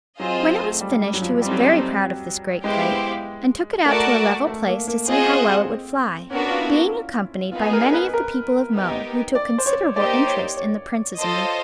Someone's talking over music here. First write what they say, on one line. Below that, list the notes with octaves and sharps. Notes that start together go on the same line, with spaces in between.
When it was finished he was very proud of this great kite, and took it out to a level place to see how well it would fly, being accompanied by many of the people of Mo, who took considerable interest in the Prince's amusement.
F#3 C4 F4 G#4 C5 D#5
F#3
A3
G3
G3
F#3
F3
G3 A3 C4 D#4
F#3
G3
G#3 B3 E4 G4 C5 F5
A3 F#4 A#4 D5 F#5 A5
A3
A#3
A#3
C4 F4 G#4 C5 D#5 F#5
B3 C#4 D4 F#4 A#4
F4
E4
B3 D#4 F4 G#4
A#4
B4
A#4
B3 D#4 G4 A#4
D5
C5
C#5
A#3 D#4 G4 C5 D5
C#5
C#5
F4 A4 C5 D#5